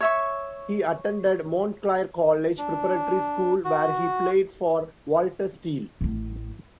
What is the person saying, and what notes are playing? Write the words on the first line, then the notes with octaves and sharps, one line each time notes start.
He attended Montclair College Preparatory School where he played for Walter Steele.
C#5 E5 C#6
D4
F#4
A1 A2